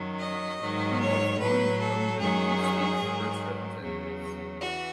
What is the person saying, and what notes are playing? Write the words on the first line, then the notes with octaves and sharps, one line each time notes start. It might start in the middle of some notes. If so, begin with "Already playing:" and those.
He was one of the new state's first representatives.
Already playing: F#2 D#3 F#3
D#5
G#2 D#3 F#3
C#5
A2 F#3 B4
A4
F#2 D#3 F#3 G#4
G#2 D#3 F#3
E2 C#3 F#3
E3 F#4